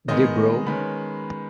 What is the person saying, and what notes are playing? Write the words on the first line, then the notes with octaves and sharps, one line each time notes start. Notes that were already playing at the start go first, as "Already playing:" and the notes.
The Bro.
D#3 G#3 B3 D#5
D#3 G#3 C#4 B4 B5